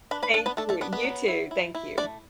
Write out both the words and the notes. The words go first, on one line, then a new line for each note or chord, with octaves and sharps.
Thank you. You too. Thank you.
D4 B4 B5
B4 B5
D4 A4 A5
B3 B4
A3 D4 A4
A3 A4
B3 D4 B4
B3 B4
F#3
E4
E4
E4
A3 D4 D5